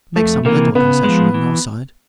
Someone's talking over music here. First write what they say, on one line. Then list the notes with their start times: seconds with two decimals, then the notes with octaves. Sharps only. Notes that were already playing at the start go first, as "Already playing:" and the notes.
Make some little concession on your side.
0.16 F2 A3
0.45 C3 E3 A#3
0.75 C#3 B3
1.04 F3 G#3
1.34 E3